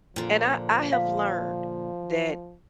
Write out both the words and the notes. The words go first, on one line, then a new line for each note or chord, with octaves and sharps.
And I I have learned that
A#2 D3 F3
F3 F5